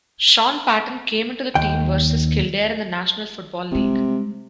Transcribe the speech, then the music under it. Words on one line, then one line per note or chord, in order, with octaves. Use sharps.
Shaun Patton came into the team versus Kildare in the National Football League.
D#2 G5
C3 G3 G#3